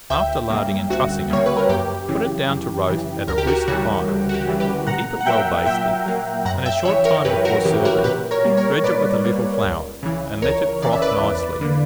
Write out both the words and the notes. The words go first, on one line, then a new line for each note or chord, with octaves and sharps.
After larding and trussing it, put it down to roast at a brisk fire; keep it well basted, and a short time before serving, dredge it with a little flour, and let it froth nicely.
D2 E5 G5
C#3 G3 A#3
D2 F#4
C#3 G3 A#3 C#5
B4
A#4
F#2 G4
C#3 E3
F#2
C#3 E3
D2 A#4
G4
F#4 A#4
C#3 E3 G3 F#4
D2
F#4
G4
C#3 E3 G3
G4 B4
A#2 F#5 A#5
F#5
F#3 A#3 E5 G5
A#2 E5 G5
F#3 A#3
F#2 F#5 A#5
E5 G5
C#3 E3 C#5 E5
A#4 C#5
F#2 G4 B4
F#4 A#4
C#3 E3 G4
F#4 A#4
A#2 G4 B4
A#4 C#5
G3 A#3
A#4 C#5
A#2 B4 D5
G3 A#3
C#2
C#3 E3
C#2 A#4 C#5
C#3 E3 D5
E5
B4 D5
E2
D3 A#3